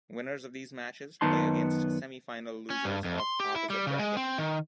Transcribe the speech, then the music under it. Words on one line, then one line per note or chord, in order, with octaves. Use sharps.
Winners of these matches play against semifinal losers of opposite bracket.
F#2 D#3 B3 D#4 A5 C6
C#4
G2
F2
C6
G4
E4
G3
C#3
G#3
C4
D#3